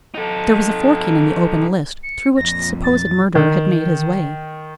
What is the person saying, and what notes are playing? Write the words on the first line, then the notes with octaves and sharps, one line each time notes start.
There was a forking in the open list, through which the supposed murderer had made his way.
D#4 A4
C#7
F2 A#2 A#6
A6
D#3